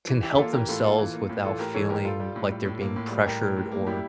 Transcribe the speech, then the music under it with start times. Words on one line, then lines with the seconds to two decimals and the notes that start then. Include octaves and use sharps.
can help themselves without feeling like they're being pressured or,
0.08 E3
0.23 E3 E4 G4
0.38 A#3 F4 A4
0.53 E3 G4 A#4
0.68 A2 F4 A4
0.84 A#3 F4 A4
0.98 E3
1.14 A#3
1.29 A2
1.44 E3 F4 A4
1.59 A2 G4 A#4
1.74 E3 A4 C#5
1.89 A2 G4 A#4
2.05 G3 F4 A4
2.20 G3
2.36 A2
2.50 G3
2.65 A2
2.81 A#3
2.96 A2
3.10 G3
3.26 A2 G4 A#4
3.42 A2
3.57 A2
3.72 A#3
3.86 G3 E4 G4